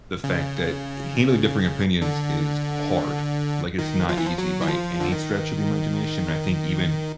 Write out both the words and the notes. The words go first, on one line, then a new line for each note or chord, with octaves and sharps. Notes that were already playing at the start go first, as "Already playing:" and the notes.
the fact that handling differing opinions is hard. Like it's not easy by any stretch of the imagination. I think even
C#3
D3
D#3
F3
E3
F3
F#3
E3
F3
D3
D#3